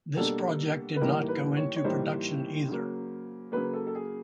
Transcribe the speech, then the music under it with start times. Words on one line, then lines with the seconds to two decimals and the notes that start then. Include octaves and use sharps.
This project did not go into production either.
0.16 B2 G3 A#3 D4 A4
0.96 B4
1.01 A2 E3 G3 A#3 D#4 A#4
1.28 B4
1.57 C#5
1.76 C#5
1.84 A2 E3 G3 A#3 D#4 C5
2.68 C#3 F#3 A#3
3.52 C#3 F#3 A#3 B4
3.74 A4
3.87 A4
3.95 G#4